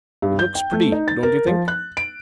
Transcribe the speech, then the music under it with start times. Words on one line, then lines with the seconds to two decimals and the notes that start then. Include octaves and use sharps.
It looks pretty, don't you think?
0.22 G2
0.39 G6
0.55 G5
0.72 A3
0.92 D#4
1.08 A6
1.23 A#4
1.47 F3
1.68 F#6
1.97 D7